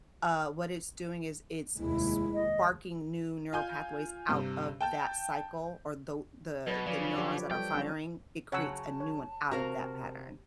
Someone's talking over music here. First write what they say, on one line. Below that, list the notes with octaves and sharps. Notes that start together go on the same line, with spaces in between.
uh, what it's doing is, it's sparking new neural pathways out of that cycle or tho the the the neurons that are firing it creates a new one out of that pattern.
F1 D#2 G#3 E4
D#5
F4 G#5 G6
G2 C3
G5 A5 G6
B2 F#3 B4
C#3 F3 D5
F3 G4 C#5
G3 A4 G5
C#4 D4
C#3 F#3 C#5 F#5 A5 E6
C#5
C3 F#4 A#4 F5 A#5